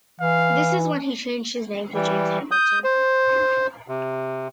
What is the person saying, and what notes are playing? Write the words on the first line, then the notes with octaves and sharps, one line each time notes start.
This is when he changed his name to James Hamilton.
E3 F5
E3 G3
D#6 G6
C5
C3